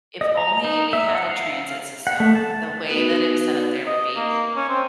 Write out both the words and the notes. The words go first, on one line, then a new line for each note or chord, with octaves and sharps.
if only we had a transit system, the way that it's set up there would be
D#5
A#5
D#4
E5
F#5
F5
F#5
A3
A5
B3 D#4 F#4 B4
D#5
A#3
C#4
C4